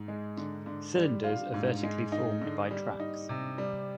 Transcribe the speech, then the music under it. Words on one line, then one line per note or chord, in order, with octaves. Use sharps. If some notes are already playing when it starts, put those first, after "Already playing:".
Cylinders are vertically formed by tracks.
Already playing: G#2
G#3
D3
D3
G3
F4
G#2
G#3
D#4
D3
G3
D#4
C3
G3